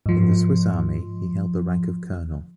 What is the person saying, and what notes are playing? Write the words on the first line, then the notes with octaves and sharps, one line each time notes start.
In the Swiss army he held the rank of a colonel.
G#2 F3